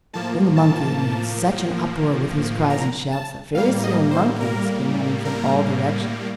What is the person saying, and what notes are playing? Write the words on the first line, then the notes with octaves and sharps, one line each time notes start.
Then the monkey made such an uproar with his cries and shouts that very soon monkeys came running from all directions.
A2 F3 A#3 A5
A5
A#5
A5
A2 G3 A#3 F5
D#5
C5
A#4
A#4